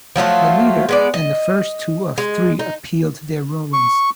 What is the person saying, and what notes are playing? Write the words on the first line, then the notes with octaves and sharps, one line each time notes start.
The leader and the first two of the three appealed their rulings.
F3 F#3 A3 F4
G#3 B3 D5
D#5
G#3
D#4
C#6